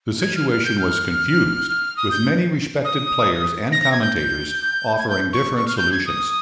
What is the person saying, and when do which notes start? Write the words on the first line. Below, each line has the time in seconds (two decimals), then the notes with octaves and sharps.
The situation was confused, with many respected players and commentators offering different solutions.
0.21 G#6
0.35 F6
0.50 F6
0.65 G6
0.79 F6
1.97 D#6
2.11 G6
2.84 D#6
3.72 A#6
3.82 A#6
3.92 G#6
4.01 G6
4.16 G6
4.98 G#6
5.09 G6
5.33 C#6
5.57 C#6
5.67 F6
5.77 G6
5.91 G#6
6.06 D#6